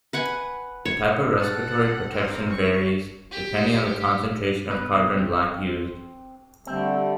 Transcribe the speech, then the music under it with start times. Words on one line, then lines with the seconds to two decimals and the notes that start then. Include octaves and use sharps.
The type of respiratory protection varies, depending on the concentration of carbon black used.
0.13 B4 F#5 G#5
0.85 C#5
1.40 A4 F#5
2.12 C4 A#4
2.50 C#6
3.31 G4
4.68 B2 B4
5.17 C4
6.67 D3 G3 A3 C4